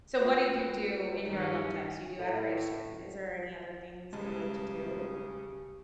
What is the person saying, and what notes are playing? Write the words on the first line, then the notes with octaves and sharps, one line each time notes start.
So what do you do in your alone time? So you do adoration. Is there any other things that you like to do?
F4 F#4 B4
G2 D#3 G3 C#4 D#4
A2
B1 C#3 G3 G#3 G4 A5